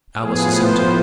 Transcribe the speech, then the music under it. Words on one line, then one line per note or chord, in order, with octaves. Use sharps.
Alice assented.
A2 F3 B3 G#4
C5